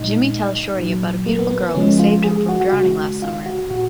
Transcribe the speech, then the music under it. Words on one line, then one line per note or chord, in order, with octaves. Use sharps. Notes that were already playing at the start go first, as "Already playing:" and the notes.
Jimmy tells Shorty about a beautiful girl who saved him from drowning last summer.
Already playing: A#2 G#3 D#4
A#2 F#3
A#3
B3
B3
B3
C#3 F3 G#3 C#4
F4
G#4
F#4
F#4
C#3 G#3 F#4
F4
F#4
A#2 F#4